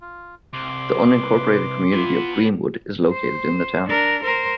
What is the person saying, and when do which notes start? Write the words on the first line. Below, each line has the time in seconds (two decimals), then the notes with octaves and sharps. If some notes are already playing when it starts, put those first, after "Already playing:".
The unincorporated community of Greenwood is located in the town.
0.01 F4
0.53 C2 C6 D6
1.17 B4
1.92 E3 B3 F4
3.11 C5
3.88 D4 A#4
4.23 A#4 C5